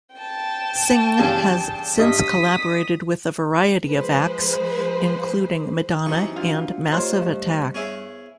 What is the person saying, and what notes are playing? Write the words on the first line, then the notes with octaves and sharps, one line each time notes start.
Singh has since collaborated with a variety of acts including Madonna and Massive Attack.
G5 A5
E2 G2 C#3
G2 D#5 D#6 B6
F3 G#3 B4 C5
F#2 C3 E3 D#4 C#6
D4 F4 F#4
A3 F4 G4 A#4 C5 C#5 D#5
G2
B3 E4 G#4 C#5